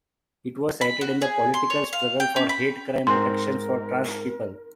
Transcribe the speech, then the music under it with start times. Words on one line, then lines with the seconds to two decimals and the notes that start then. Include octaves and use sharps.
It was cited in the political struggle for hate crime protections for trans people.
0.81 B5
1.01 F#4
1.22 G#4
1.54 C6
1.70 C#5
1.93 F5
2.20 G5
2.36 C#4
2.49 B5
3.07 G#2 C4 A#4 C6